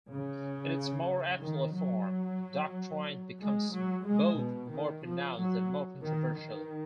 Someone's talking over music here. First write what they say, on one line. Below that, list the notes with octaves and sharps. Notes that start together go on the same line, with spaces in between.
In its more absolute form, the doctrine becomes both more pronounced and more controversial.
C#3
D#3
F#3
G#3
F#3
G#3
B2
D#3
F3
F#3
D#3
D#3